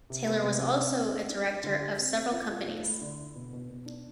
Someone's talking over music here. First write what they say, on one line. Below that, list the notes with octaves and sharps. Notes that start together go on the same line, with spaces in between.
Taylor was also a director of several companies.
C3
B3
C3
C4
C4
C4
C4
D4
G3
D3
G4
C4
C4
F4
F4
A3
E4
D3
E4
B2
B2
B2
D4